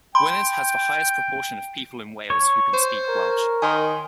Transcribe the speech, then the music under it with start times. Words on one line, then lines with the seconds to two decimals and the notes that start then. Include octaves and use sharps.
Gwynedd has the highest proportion of people in Wales who can speak Welsh.
0.15 G5 B5 C6
2.30 C#5
2.74 C5
3.08 A#4
3.62 D#3 G#5 C6